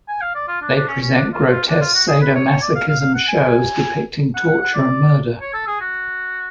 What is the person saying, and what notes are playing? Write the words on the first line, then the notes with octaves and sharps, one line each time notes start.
They present grotesque sadomasochism shows depicting torture and murder.
G#5
F5
D5
F4
D4
D4
C#4
C#4
D4
F4
F4
D4
F4
F#4
G#4
B4
C#5
C#5
D5
F5
F5
F5
F#5
G#5
F#5
F#5
F#5
D5
C#5
A4
G#4
F#4